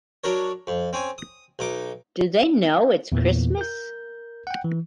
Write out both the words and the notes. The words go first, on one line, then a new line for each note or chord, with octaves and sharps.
Do They Know It's Christmas?
F#3 D4 A#4 C#5
F2
C4 C#4 G#5
D#6
B1 D#4 D6
E2 A#2 E3 A#3
A#4 G6
F#5 G5
E3